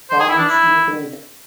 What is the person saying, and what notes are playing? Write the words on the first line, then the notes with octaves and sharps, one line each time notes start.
Comics imprint.
C5
G#4
E4
D4
E4